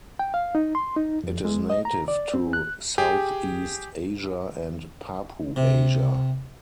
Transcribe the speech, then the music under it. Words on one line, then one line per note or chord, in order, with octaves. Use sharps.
It is native to Southeast Asia and Papuasia.
G5
F5
D#4
C6
D#4
F2
G#3
D#5
A#5
D5
C4
F#6
G4 G#4
C3